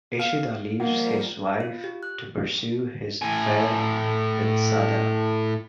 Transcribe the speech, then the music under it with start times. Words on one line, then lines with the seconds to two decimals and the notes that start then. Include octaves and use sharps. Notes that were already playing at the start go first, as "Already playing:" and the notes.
Ishida leaves his wife to pursue his affair with Sada.
0.19 F5
0.80 D#3 F3 G3 A#3 A#4 F#5
1.60 F4
1.84 G4
2.03 F#6
3.22 A2 G#5